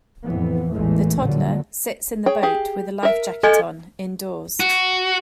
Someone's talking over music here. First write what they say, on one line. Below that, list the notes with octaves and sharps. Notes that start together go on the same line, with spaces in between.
The toddler sits in the boat with a life jacket on indoors.
F2 A2 E3 B3
A1 E2 A#2 E3 G#3 A3
A#2 D3 F#3 G3
G#4 C#5 G5
G4 G#4
A#4 E5
A4 D#5 G#5
F#4